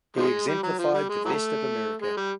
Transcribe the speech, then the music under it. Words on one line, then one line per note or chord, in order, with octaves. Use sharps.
He exemplified the best of America.
D#3 F3 G#3
G3
F#3
F3
G3
G#3
E3 F#3 A3
G#3
G3